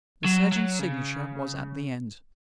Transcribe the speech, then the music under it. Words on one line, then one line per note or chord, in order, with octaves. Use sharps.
The surgeon's signature was at the end.
F#3
F#3
C#3